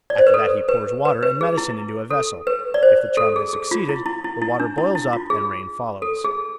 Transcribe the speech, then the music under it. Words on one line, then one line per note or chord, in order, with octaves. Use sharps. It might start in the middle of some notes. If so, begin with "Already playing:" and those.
After that he pours water and medicine into a vessel; if the charm has succeeded, the water boils up and rain follows.
D5
C5
B4
A4
B4
B4
B4
G#4
E4
A4
B4
D5
C5
A4
G#4
G#4
F4
E4
E4
E4
E4
D4
E4
E4
F4
G#4
A4
G#4